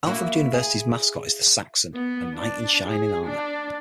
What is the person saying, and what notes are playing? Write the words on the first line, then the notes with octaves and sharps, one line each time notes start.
Alfred University's mascot is the Saxon, a knight in shining armor.
A#3 E4 F#4
G#4
B3
D4
G#4
D4